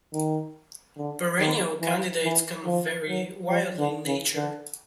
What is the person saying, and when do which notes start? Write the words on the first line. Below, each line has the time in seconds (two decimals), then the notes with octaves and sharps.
Perennial candidates can vary widely in nature.
0.13 D#3
0.97 D3
1.39 D#3
1.81 E3
2.24 E3
2.65 F3
3.08 F#3
3.49 F3
3.79 D3
4.06 C#3
4.35 D3